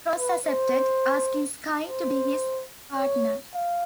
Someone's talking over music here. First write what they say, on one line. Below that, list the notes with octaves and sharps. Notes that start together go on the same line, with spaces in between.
Cross accepted, asking Sky to be his partner.
B4
C5
C5
C#5
F5